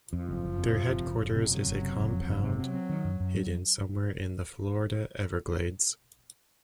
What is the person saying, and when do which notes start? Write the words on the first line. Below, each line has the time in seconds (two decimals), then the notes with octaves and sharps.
Their headquarters is a compound hidden somewhere in the Florida Everglades.
0.13 F2 F3
0.28 F#1
0.43 F#1
0.58 F2
0.74 C3
0.90 F#1
1.05 F#1
1.21 F#1
1.35 C3 F#3
1.51 C3
1.66 F#1
1.81 C3
1.97 F#1
2.12 F2
2.28 F#1
2.44 C3
2.58 F#3 C4
2.74 C4
2.89 D#3
3.04 F#2
3.20 F#2
3.35 F#3